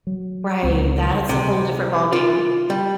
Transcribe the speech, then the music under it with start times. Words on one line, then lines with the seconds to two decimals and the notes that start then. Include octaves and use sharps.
Right, that's a whole different ballgame.
0.07 F#3
0.63 C#2 C4
1.29 C3
2.13 F4
2.70 G3